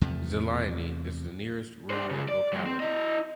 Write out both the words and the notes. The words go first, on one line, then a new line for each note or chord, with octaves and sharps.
Zelyony is the nearest rural locality.
E2 C3 F3 A3
D4 C5
C#3 G#3
D5
F#3 G#3
C4
E4 D#5